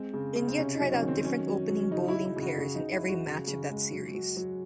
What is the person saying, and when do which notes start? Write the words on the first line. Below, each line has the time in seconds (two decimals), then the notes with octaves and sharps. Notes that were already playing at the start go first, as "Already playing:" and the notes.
India tried out different opening bowling pairs in every match of that series.
Already playing: G#3 C4
0.14 C#3
0.36 C#3
0.48 C4
0.57 C3 C#4
0.75 D#4
0.80 F#3
0.92 C#4
1.02 D#3
1.08 C4
1.24 F#3 C#4
1.47 F#3
1.69 F#3
1.91 C#3 D#4
2.08 E4
2.14 C#3
2.25 E4
2.37 C#3
2.42 F#4
2.58 C#3 F#4
2.75 D#4
2.81 C#3
2.92 E4
3.03 F#3
3.09 F#4
3.26 C#3
3.47 C#3
3.70 G#3
3.92 F#3
4.15 F#3
4.37 F#3